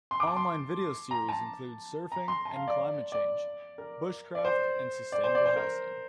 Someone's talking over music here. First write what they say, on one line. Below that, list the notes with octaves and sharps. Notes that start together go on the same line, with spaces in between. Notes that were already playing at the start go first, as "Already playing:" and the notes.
Online Video series include Surfing and climate change, Bushcraft and sustainable housing.
C6
D6
A5
C6
A#5
A5
A#5
C6
A5
F5
D5
D5
A#4
D5
C5
D5
C5
D5
C5
A#4